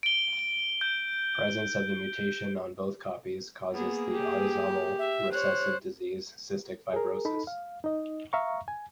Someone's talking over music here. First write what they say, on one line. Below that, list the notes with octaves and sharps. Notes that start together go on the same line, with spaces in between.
Presence of the mutation on both copies causes the autosomal recessive disease cystic fibrosis.
D7 G7
G6
A#3 B3 G#4
G4
E5
C5 C#5 F#6
G#4 A#4
D#4 A4 B5
F5
D#4 D#5
E5 F5 A#5 C#6
G#5